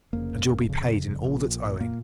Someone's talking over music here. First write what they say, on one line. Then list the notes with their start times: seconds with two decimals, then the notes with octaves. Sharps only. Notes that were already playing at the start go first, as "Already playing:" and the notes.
And you'll be paid all that's owing.
0.13 F1 F2 C#3 A#3
0.68 F1 F2 C#3
1.25 A#1 A#2
1.81 A#2 A#3